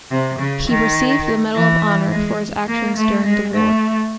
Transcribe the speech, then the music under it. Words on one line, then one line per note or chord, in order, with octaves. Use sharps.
He received the Medal of Honor for his actions during the war.
C3
C#3
D#3
E3
G#3
A#3
A3
G#3
A3